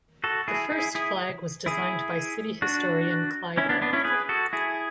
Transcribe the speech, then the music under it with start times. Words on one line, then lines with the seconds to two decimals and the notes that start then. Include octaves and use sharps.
The first flag was designed by city historian Clyde Arbuckle.
0.24 F#4 A4
0.48 E4 G#4
0.72 E4 G#4
0.95 E4 G#4
1.66 E4 G#4
2.62 D4 F#4
3.57 C#4 E4
3.69 B3 D4
3.82 B3 D4
3.93 C#4 E4
4.05 G#4 B4
4.29 F#4 A4
4.53 E4 G#4